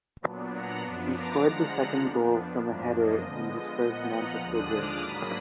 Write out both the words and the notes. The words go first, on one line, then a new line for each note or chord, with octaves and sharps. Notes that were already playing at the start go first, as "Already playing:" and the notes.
He scored the second goal from a header in his first Manchester derby.
A#2 F#3 B3 D4
F#5 A#5
F#2 F3 B3 D4
A#5 D6
D3 F3 G#3 D4 F#5 A#5
F2 F3 B3 D4
F#2 F3 A#3 D4
D#5
D3 F3 G#3 B3
D#5
A#2 F3 B3 D#5 F#5
F#5 A#5
D#2 D3 F3 G#3 D4 D#6 F#6
D6 F6
G#2 F#3 A#3 D4 B5 D#6